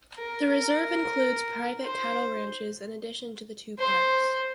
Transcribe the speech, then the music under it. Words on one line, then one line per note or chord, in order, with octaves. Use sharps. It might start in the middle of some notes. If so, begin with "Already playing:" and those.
The reserve includes private cattle ranches in addition to the two parks.
A#4
A#4
C5
C5